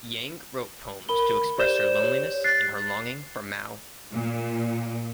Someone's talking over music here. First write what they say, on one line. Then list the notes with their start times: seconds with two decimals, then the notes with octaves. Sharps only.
Yang wrote poems to express her loneliness and her longing for Mao.
1.09 A#4 B5 G7
1.58 G4 C5 D5 G6 E7 G7
2.00 G4 C#5
2.44 F#6 A6 C7
4.12 A#2